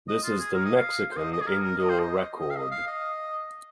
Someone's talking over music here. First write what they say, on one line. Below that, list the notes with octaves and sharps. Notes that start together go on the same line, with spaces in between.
This is the Mexican indoor record.
D#5
F4
G#4
A#4
D#5
F5
C5
D#5
D#5
G#4
A#4
A#4
D#5
C5
D#5
D#5
F5
D#5
F5
D#5